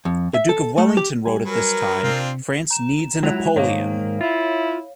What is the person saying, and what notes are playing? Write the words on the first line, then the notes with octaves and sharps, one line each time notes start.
The Duke of Wellington wrote at this time, France needs a Napoleon!
F2
E5
A4
A3
G4
G3 G#5
F#3 A#4 B4
C3 C4 D4 F4
A#5 E7
F#3 G#3 E4 F#6 F7
G#2 D#3 A#3 C#5 F5
E4 F4